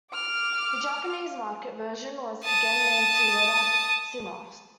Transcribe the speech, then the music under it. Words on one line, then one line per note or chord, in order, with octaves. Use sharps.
The Japanese market version was again named "Toyota Cynos".
D6 F6
A5 D#6